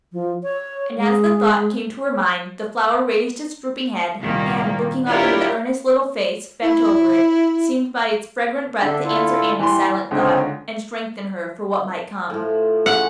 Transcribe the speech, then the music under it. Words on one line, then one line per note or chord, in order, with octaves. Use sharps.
And as the thought came to her mind, the flower raised its drooping head, and, looking up into the earnest little face bent over it, seemed by its fragrant breath to answer Annie's silent thought, and strengthen her for what might come.
F3
C#5
G#3
C2 A#2 D#3 A#3
D4 E4 F4 G4 A#4 C#5
E4
D3 D4 A4 E5
E4 F4 A4
E3 G3 C6
C#2 D3 C4 D#4 C#5
A2 F3
C#3 F#5